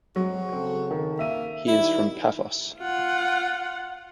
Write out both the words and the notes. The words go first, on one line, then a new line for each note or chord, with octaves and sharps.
He is from Paphos.
F#3 G#3 C4 F#4
C#3 C4 A4
D#3
A#3 E5 D#7
D#3 G3 D#4 E4
F4 F#5